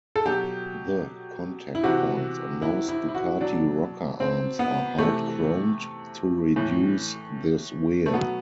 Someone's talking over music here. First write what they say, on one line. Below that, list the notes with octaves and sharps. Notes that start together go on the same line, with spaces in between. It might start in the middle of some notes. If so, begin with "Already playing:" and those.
The contact points on most Ducati rocker arms are hard-chromed to reduce this wear.
A4
B2 F#3 G4
E4
C3 E3 F#4
E4
E4
E4
F#4
B2 F#3 D4
C4
B3
C3 E3 A3
A2 E3
A3
B2 F#3 B3